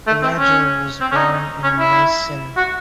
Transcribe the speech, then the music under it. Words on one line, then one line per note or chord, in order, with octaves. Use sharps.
Schlegel was born in Meissen.
A3
C4
C#4
C4
C#4
D#4
C#4
E4
F#4